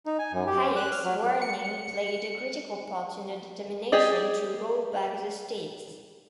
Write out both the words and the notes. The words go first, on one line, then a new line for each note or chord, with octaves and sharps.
Hayek's warning played a critical part in her determination to 'roll back the state.
D#4
G#5
F#2
G4
C#4
F#6
F6
F#3
C#7
G4 G#4 D5 D#5